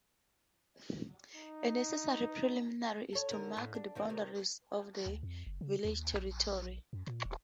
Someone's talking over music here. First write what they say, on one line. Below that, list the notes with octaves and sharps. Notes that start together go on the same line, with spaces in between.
A necessary preliminary is to mark the boundaries of the village territory.
D#4
A4 C#5
D#2 D3 A#4
A2
D4
E2 D#3 C4
C3 D#3
D2
F2
F#1
C#3
D#2
A#1
F#2
A#2
D#1